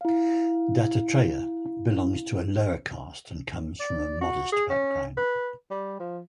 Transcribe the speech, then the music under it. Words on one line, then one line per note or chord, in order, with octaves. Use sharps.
Dattatreya belongs to a lower caste and comes from a modest background.
E4 F5
D5
F#4
G#4
C#4
B4
G3
F3